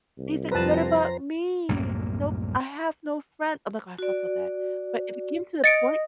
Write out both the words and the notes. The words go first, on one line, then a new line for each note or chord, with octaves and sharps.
he's like, "What about me? Nope. I have no friend" I'm like, "Oh," I felt so bad. But it became to the point
C2
F2 F4 B4 C5 A5 A#5
C2 F#2 A2 A#3
F#4 D5
D#5 A6 C#7 D7